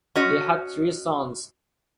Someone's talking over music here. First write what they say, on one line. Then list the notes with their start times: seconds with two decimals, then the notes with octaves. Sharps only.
They had three sons.
0.16 C#4 F#4 D#5